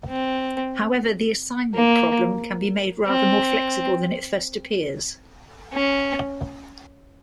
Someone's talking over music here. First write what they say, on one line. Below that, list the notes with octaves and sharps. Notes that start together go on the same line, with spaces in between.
However, the assignment problem can be made rather more flexible than it first appears.
C4
A#3
C4
C#4